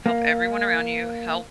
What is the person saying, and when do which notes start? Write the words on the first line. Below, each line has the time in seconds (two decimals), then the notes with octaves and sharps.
help everyone around you, help
0.06 A#3